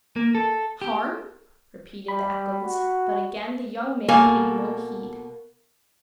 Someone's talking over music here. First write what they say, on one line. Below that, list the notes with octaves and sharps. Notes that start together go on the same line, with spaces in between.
'Harm!' repeated the echoes, but again the young man paid no heed.
A#3
A4
G4
G3 B5
F#4
B2 A#3 A4 A#4 G#5